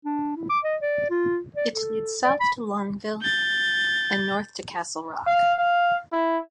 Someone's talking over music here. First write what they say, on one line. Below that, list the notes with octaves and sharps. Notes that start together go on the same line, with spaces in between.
It leads south to Longview and north to Castle Rock.
D4
E4
D6
D#5
D5
F4
D5
A4
D5
B5
G6 A6
F5
F5
E4